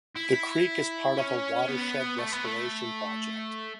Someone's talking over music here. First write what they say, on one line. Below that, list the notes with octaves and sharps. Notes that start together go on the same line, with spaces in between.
The creek is part of a watershed restoration project.
E4
C#4
B3
A3
B3
A3